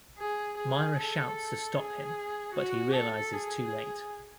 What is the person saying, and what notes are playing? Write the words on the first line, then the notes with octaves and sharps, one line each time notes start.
Myra shouts to stop him but he realizes too late.
G#4
G#4
A4
G#4
F#4
A4
G#4